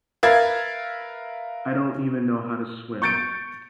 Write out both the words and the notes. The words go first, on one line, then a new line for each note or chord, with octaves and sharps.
I don't even know how to swim!
A#4 B4 E5 F5 G#6 A6
C#6 G6 A6 C#7 D7